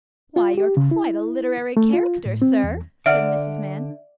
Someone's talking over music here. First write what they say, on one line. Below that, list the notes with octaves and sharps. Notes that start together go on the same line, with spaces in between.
'Why, you're quite a literary character, sir!' said Mrs. Mann.
F4
G4
C#3
E4
A3
F4
A2
C4
E2
D3 D5 E5 F#5 F6 D7